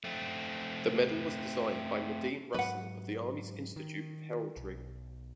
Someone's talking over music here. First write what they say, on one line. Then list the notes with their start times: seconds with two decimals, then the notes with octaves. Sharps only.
The medal was designed by Nadine Russell of the Army's Institute of Heraldry.
0.04 A3 C4
2.54 G#2 F#3 B4 F#5
3.76 D#3
4.57 B1